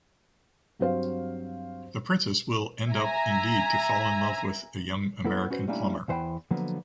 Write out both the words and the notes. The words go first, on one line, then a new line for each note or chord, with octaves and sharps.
The princess will end up indeed to fall in love with a young American plumber.
G2 F#3 C4 F#4 C5 F5
E5 G#5 A#5
A#3 B3 E4 A4
C#4 F#4 B4 C5
G3 A3 A#3 C#4 D4 E4
E2 E3 C5 E5 G5 B5
D3 F3 F#3 A#3 B3